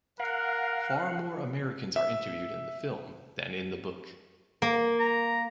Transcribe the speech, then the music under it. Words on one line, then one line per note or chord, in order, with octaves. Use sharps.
Far more Americans are interviewed in the film than in the book.
A#4 F5 F#5
E5
A#3
A#5